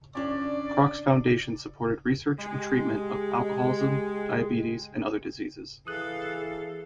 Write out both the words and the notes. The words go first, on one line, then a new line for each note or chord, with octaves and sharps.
Kroc's foundation supported research and treatment of alcoholism, diabetes, and other diseases.
C#4 D4 D5
G#3 G4
E3 G#4 A4 F5 D#6 F#6